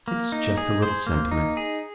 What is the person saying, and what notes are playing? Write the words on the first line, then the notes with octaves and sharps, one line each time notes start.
It's just a little sentiment....
A#3
D#4
G#4
C5
A#3
D#4
G#4